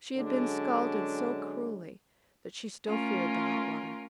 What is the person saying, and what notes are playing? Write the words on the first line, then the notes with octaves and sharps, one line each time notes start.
She had been scalded so cruelly that she still feared the hot water.
D3 F#3 G#3 C#4 D4
A3 C#4 F4 A#4